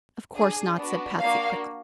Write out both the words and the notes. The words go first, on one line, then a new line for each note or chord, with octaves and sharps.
"Of course not," said Patsy, quickly.
D4 G#4
B3 D4 F#4
A#3 D4 F#4 F5